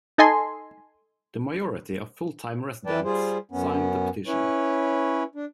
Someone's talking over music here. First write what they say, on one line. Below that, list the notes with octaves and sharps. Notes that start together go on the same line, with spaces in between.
The majority of the full-time residents signed the petition.
D#4 A4 D#5 G#5 C6
E3 B4 D5 G5 A5
G3 F4 G#4 C5
F#2 B3 C#4
C#4 E4 B4 C#5
D4